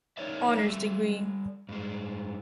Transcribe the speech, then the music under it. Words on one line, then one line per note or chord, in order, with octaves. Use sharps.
Honors degree.
D#4 A#4 C#5 D5 E5
G3 A4 E5
G2 G#3